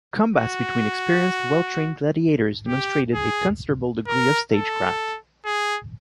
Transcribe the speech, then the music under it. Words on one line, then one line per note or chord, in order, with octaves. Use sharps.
Combats between experienced, well trained gladiators demonstrated a considerable degree of stagecraft.
F#4
G4
G#4
A#4
A4
G#4